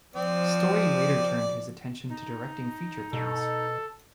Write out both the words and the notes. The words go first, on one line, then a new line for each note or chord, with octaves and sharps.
Story later turned his attention to directing feature films.
F3 C4 D5
D#4
B2 A4